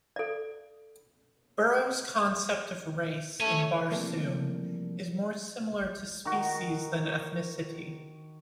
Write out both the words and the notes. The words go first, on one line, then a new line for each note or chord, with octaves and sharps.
Burroughs' concept of race in Barsoom, is more similar to species than ethnicity.
A4 D5
A3 C#5 G#5
C3 E3 F3 G3 A3 A#3
D#3 F#4